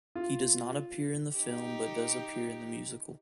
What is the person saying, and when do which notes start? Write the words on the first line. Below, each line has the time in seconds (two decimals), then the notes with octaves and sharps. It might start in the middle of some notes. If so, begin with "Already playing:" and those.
He does not appear in the film but does appear in the musical.
0.15 F4
1.35 D#4 G4